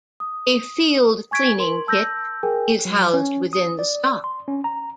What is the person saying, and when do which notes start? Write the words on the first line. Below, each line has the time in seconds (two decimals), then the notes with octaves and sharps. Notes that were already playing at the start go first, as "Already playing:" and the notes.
A field cleaning kit is housed within the stock.
0.20 D#6
1.31 G#5 C#6 G#6 B6 D7
1.58 A#4 C6 F#7
1.87 A5 E6 G6 A#6
2.43 G#4 A#4 G5 G#5
2.85 F#3
3.14 C#4
3.53 D#6
3.79 D5
4.24 C6
4.48 C#4
4.64 A#5